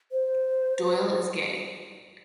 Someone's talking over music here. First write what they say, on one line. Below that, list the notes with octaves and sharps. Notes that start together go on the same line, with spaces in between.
Doyle is gay.
C5